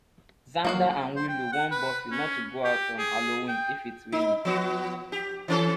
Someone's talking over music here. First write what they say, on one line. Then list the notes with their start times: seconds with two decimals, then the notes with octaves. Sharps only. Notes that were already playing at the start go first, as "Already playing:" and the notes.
Xander and Willow warn Buffy not to go out on Halloween if it's raining.
0.65 F#3 A#3 F#4 F5
1.16 C5
1.29 G5
1.53 F#5
1.72 B4
2.12 C#4
2.65 G4
2.98 G#4
3.48 G5
4.12 D#4
4.45 F3 B3 F#4
5.12 G4
5.48 E3 C#4 A4